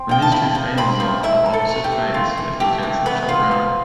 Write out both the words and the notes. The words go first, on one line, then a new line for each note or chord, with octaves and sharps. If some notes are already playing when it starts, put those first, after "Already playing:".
When these two phasors are of opposite phase they can cancel each other out.
Already playing: C4
F3 G5
A5
E4 B5
F3
C4 B5
F3
E4 E5
E3
A4
A3
G4
E3
E4 F4
E3
A3 G4
E3
B3 B4
F4
F3